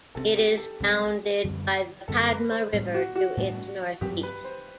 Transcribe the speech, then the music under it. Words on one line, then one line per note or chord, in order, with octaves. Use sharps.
It is bounded by the Padma River to its northeast.
C2 C3 G3 C4 A4
G4
A4
C2 C3 G3 C4
F#2 D3 G3 C4
F#2 D3 G3 C4 A4
B4
C5
A2 G3 B3 D4
F#4
F#4
A2 G3 B3 D4
G2 F#3 C4 G4
B4
C5